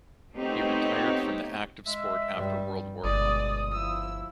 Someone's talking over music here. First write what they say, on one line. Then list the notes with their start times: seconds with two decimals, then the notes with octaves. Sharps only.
He retired from active sport after World War One.
0.34 A3 B3 C4 D#4 G4 C#5
1.86 G#3 E5
2.33 G2 G3
3.04 G1 B2 G#3 D5 D#6
3.73 F3 E4 E6